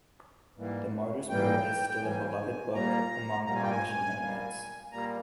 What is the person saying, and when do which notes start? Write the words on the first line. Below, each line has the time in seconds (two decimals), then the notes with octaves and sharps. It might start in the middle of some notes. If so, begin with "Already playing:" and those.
The "Martyrs Mirror" is still a beloved book among Amish and Mennonites.
0.56 G#2 E3 G3 A#3
1.29 G#2 E3 G3 A#3 G5
1.90 G5
2.02 G#2 E3 G3 A#3 G#5
2.74 A#2 G3 A#3 A#5
3.46 A#2 G3 A#3 A#5
3.55 G#5
3.63 G5
3.71 G#5
4.19 A#2 G3 A#3
4.91 A#2 G3 A#3 A#5